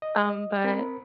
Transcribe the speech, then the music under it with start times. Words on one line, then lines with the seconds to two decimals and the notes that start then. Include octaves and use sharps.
um, but
0.02 D#5
0.64 C4 A#4 B5